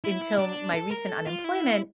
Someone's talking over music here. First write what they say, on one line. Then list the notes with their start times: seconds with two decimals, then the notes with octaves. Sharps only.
until my recent unemployment,
0.04 E4
0.39 D4
0.74 A4
0.91 A#4
1.09 A4
1.26 F4
1.44 E4